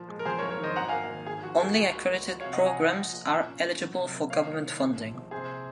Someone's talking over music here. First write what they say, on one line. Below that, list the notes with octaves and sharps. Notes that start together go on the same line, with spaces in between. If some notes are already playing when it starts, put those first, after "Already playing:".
Only accredited programmes are eligible for government funding.
Already playing: A#2 F3
G#3
A#4
F2 G#4 C5
A#4 C#5
F#1
A#4 C#5
D#3 C5 D#5
G#1 F#5 A#5
F5 G#5
A#3
D#3
G#1 G#4
F3 F#4
A#3 G#4
C#2 F#4
A#3
C#2
F3 F#4
C#5 F5
C3
D#5 F#5
F3 F5 G#5
F3 D#5 F#5
A#1
A#2
A#2
C#4
A#2
F#3
C3
A#3
A#3 C#5 F5
C2
D#3
A#1
F3
A#1
C3 G#4 C5